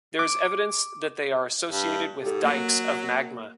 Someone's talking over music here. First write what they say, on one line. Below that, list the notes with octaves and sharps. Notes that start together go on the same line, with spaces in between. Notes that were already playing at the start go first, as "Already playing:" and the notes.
There is evidence that they are associated with dikes of magma.
D6
G2
G#2 G4 A4
F#3 A#3